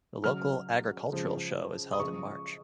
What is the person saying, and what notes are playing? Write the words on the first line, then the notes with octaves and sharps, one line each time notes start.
The local agricultural show is held in March.
C#3 F#3 F6
C#3 F3 G#3
D#6
C#3 F3 G#3 C#6